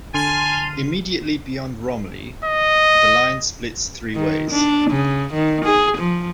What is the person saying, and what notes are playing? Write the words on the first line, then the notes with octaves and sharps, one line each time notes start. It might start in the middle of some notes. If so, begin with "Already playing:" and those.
Immediately beyond Romiley, the line splits three ways.
D3 G#5 A5 C6 F6 D#7
D#5
D#3
D4
C#3
D#3
G#4
F3